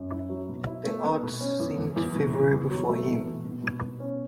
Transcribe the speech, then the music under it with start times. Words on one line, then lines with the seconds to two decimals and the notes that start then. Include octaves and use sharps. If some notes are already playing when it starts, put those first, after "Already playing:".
The odds seemed favourable for him.
Already playing: F#2
0.11 E4
0.30 F#3
0.48 B2
0.67 E4
0.85 A3
1.04 B3
1.23 B2
1.41 C#4
1.60 E2
1.78 E2
1.96 E2
2.15 B2
2.33 B2
2.52 E2
2.71 F#3
2.89 A3
3.07 E3
3.26 B2
3.44 B2
3.63 B2
3.81 B2
4.00 C#4